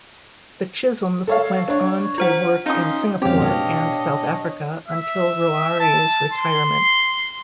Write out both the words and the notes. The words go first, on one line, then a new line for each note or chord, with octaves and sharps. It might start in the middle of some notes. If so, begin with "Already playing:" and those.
The Chisholms went on to work in Singapore and South Africa until Ruari's retirement.
A4 C#5 F5
D4 C#5
F4 C5 F#5
C#4 D#4 F4 D#6
F2 G#3 C4 C#4 G4 F5
B2 D4 C#5 D#5
E5
A5
C6